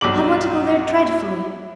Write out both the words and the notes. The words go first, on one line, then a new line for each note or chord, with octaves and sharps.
I want to go there dreadfully.
B1 G2 D6 F#7